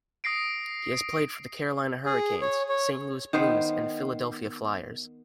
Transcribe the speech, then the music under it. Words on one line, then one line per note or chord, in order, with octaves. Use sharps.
He has played for the Carolina Hurricanes, Saint Louis Blues and Philadelphia Flyers.
D#6 A#6 C7 D7
G#4
C#5
C#5
D#3 B3 C5